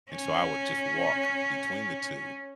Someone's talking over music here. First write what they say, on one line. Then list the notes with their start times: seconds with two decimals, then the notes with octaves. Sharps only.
and so I would just walk between the two,
0.12 C#4